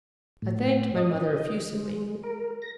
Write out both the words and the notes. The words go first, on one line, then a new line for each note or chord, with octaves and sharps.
I thanked my mother effusively.
A2
D#5
G#3
A#4
A#6